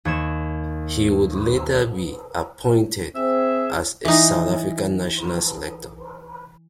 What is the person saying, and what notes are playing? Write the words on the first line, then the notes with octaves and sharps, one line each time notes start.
He would later be appointed as a South African National Selector.
D#2 C#5 G#6 E7
C4 G#4 E5
E3 D#4